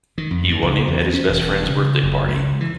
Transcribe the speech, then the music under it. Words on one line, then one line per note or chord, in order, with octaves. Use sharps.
He won him at his best friend's birthday party.
D#3
F2
G2
C#2
E2
C#4
E1
C#3
F#1
C#2
E3